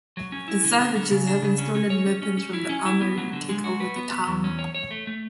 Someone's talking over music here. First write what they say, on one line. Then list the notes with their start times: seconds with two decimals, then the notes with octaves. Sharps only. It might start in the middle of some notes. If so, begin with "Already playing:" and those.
The Savages, having stolen weapons from the Armory, take over the town.
0.17 F#3
0.32 C#4
0.48 E4
0.64 D3
0.80 D3
0.95 D3
1.11 C#3
1.28 D4
1.42 C#3
1.58 C#4
1.75 C#4
1.90 C#5
2.07 C#4
2.22 C#4
2.37 C#4
2.53 E4
2.69 C#4
2.86 E4
3.01 B3
3.18 F#3
3.33 D3
3.49 G#3
3.64 F#4
3.80 B4
3.96 B3
4.12 B3
4.27 E2
4.44 C#4
4.59 C#5
4.75 C#5
4.91 A3
5.07 A3